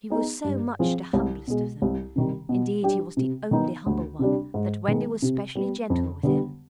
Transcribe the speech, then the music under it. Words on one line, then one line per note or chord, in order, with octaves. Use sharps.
He was so much the humblest of them, indeed he was the only humble one, that Wendy was specially gentle with him.
B3 D#4 G#4
G2
F3 C4 F4 G#4
C2
B2 G#3
C2
C3 D#3 G3
B2
G3 D4 G4
C3
D#3 B3 D#4
D2
C3 G3 D4
G#2
D#3 G#3 B3
C3
G3 B3
F2
D3 G3 B3